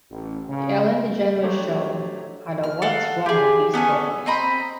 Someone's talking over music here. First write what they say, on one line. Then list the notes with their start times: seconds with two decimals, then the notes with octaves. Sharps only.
"The Ellen DeGeneres Show" had a What's Wrong with These Photos?
0.11 A1
0.49 C#3
1.43 F#3 A3 D4 G4 C5 C#5
2.64 F6
2.82 A4 F5 F#5
3.26 G4 G#4
3.73 B3 C#4 A4 G#5
4.26 C4 D#5 A#5 B5